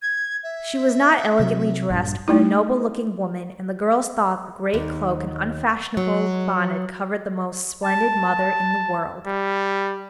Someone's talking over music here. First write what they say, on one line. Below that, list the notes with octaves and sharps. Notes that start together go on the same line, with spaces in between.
She was not elegantly dressed, but a noble-looking woman, and the girls thought the gray cloak and unfashionable bonnet covered the most splendid mother in the world.
G#6
E5
C3 F#3
A#1 G2
A3 D#4 E4
D#2
F#3
A5
G3